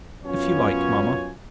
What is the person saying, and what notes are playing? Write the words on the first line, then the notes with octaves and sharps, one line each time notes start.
"If you like, mama."
F#2 B3 C#4 F4 C#5 G#5